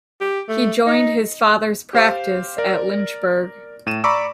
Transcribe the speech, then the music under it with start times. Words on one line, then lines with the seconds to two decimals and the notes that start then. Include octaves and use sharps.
He joined his father's practice at Lynchburg.
0.21 G4
0.49 A3
0.86 D#4
1.93 G4 C5 F5
2.58 A#4 D5
3.86 A2 D#7 E7
4.04 D5 A#5 B5 C#6 D6 E6